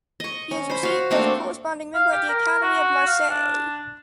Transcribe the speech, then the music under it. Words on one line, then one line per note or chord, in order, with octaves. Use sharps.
His is received as a corresponding member at the Academy of Marseille.
D#5 C#6
C#4
C5 B5
F#4 F5
A3 A#3 C4 D4
F5
G4
A#4
F#4
F5
D4